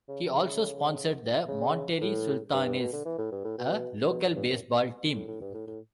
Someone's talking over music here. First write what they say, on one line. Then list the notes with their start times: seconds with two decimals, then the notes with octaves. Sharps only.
He also sponsored the Monterrey Sultanes, a local baseball team.
0.08 C#3
0.26 C#3
1.48 C#3
2.01 A2
2.53 G2
2.67 G2
2.80 B2
2.92 D3
3.05 E3
3.19 A2
3.32 G2
3.45 A2
3.58 B2
4.10 B2
4.23 G2
4.36 G2
4.49 F#2
5.14 A2
5.28 A2
5.41 G2
5.54 A2
5.67 A2